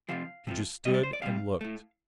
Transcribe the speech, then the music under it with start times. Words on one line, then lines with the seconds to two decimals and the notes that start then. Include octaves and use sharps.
She just stood and looked.
0.09 F2 C3 F3 F5
0.47 F2 C3 F3
0.85 C3 G3 D#5
0.94 D5
1.03 C5
1.13 D5
1.22 C3 G3 F5
1.61 A2 A3